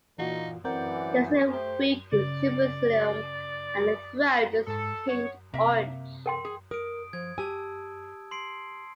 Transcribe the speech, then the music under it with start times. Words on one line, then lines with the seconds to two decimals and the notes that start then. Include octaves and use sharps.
There is a weak supercilium, and the throat is tinged orange.
0.19 A#2 E3 D#4 F4 F#4
0.65 A1 F#2 E3 C4 A#4 D5 F#5 G6
1.52 A3 G4 C5
2.12 C#3 D5
4.67 G#2 A4
5.08 C#5 F#5
5.54 C3 A#3 E5
6.26 A#4 G5 C6
6.45 G#4
6.71 A#4 D#6 D7
7.13 F3 G#6
7.38 G4 G#5 A5 E6
8.31 C6 C7 D7